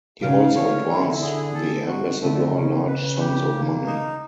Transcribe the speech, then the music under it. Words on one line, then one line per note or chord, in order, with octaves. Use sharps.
He also advanced the ambassador large sums of money.
C#3 F5
D3 C#5
E4
G#4
A4
F#4
D3 A3
C#3 C#4
B4
G4
A#3
D#4